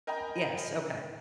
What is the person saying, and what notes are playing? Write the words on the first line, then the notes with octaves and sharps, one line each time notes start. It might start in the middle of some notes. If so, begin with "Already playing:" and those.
Yes, okay.
A#4 D#5 G5 G#5 A#5 B5